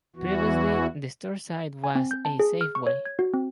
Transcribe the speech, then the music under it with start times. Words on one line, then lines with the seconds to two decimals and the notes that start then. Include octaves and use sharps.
Previously, the store site was a Safeway.
0.16 E2 E3 F#4
1.84 G#5
1.95 C4
2.11 G6
2.25 A5
2.39 G#4
2.61 F6
2.75 C#6
2.87 C#5
3.05 G#6
3.19 F#4
3.34 C4